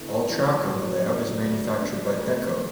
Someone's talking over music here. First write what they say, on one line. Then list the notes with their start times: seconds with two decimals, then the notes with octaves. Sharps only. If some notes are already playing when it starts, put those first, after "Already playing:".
All track on the layout is manufactured by Peco.
Already playing: D3 B3 E4
0.29 F#2 E3 A3 D4
0.66 A2 F#3 D4
1.03 D3 F#3 B3 D4
1.41 D2 D3 F#3 D4
1.80 D3 B3 D4
2.17 D2 D3 A3
2.55 B3